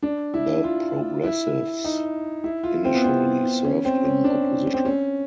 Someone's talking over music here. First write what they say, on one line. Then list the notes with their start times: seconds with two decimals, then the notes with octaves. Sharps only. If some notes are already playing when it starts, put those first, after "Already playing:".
The Progressives initially served in opposition.
0.03 D4
0.34 E4
0.64 F4
1.24 E4
1.84 D#4
2.44 E4
2.64 F4
2.85 C4
2.95 B3
3.04 C4
3.64 C#4
3.85 C4
4.05 C#4
4.24 D4
4.74 C4
4.85 C#4